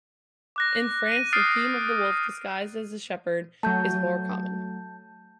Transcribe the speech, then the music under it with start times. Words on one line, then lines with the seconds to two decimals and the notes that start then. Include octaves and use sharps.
In France the theme of the wolf disguised as a shepherd is more common.
0.56 D6 F#6 A#6
1.12 D#7
1.33 D#6 F6 G6 A6 C7 D7
3.63 F#3 A3 A5 G6